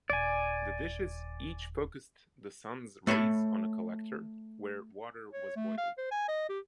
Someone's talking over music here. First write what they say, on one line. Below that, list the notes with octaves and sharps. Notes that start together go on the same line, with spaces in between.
The dishes each focussed the sun's rays on a collector, where water was boiled.
D#1 D5 G#5
A3 C#5 A5 B5
C#5
A3
F5
C5
G#5
D#5
G4